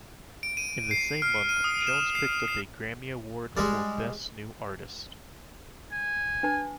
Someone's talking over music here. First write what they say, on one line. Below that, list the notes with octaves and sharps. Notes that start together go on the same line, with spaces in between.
In the same month, Jones picked up a Grammy Award for Best New Artist.
D7
D#7
C7
F6
D#7
D#6
E7
C7
C7
G3 G#3
G#5
D4 B4 A5